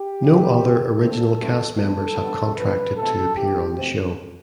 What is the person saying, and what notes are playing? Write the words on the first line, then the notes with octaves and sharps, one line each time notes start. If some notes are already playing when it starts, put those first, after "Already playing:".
No other original cast members have contracted to appear on the show.
Already playing: G4
E2 B2 G3
F2 E3 A3 C4
E2 D3 A3 C4 A4
G2 D3 A3 C4
E2 B2 A3 C4 A4
G2 F3 B3
G2 F3 B3 B4
B2 A3 C4 A4
C2 C3 E3 G4
B2 A3 C4